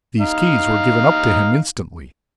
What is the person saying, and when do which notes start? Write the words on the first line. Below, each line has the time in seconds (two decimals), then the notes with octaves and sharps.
These keys were given up to him instantly.
0.20 D#4 F5